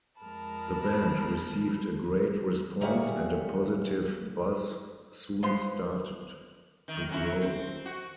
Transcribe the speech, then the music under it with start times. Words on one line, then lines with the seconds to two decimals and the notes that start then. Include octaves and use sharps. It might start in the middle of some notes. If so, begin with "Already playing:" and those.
The band received a great response and a positive buzz soon started to grow.
0.20 F2 G#3 A#4 A5 B5
2.81 G3 A#3 E4 G#4 C#5 F#5
5.43 F3 B3 C6
6.88 D#3
7.09 F#3 C#4 E4
7.42 C4
7.86 F#4